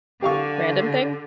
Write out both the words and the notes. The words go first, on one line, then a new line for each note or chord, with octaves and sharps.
random thing?
D3 G4 F5 C#6